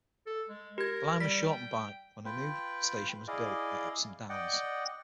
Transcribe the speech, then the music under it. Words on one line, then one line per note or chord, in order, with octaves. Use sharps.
The line was shortened by when a new station was built at Epsom Downs.
A4
G#3
G4 A#4 G#6
G3 B6
G5
F4 B4 G5
E4 G#4 D5 D#5 F5
D5 D#5 F#5 G5